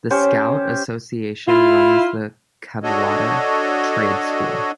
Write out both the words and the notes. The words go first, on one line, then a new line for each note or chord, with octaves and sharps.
The Scout Association runs the Kabwata Trade School.
C#4 G4 C5
E4 F4
D4 F#4 A4 C#5 D#5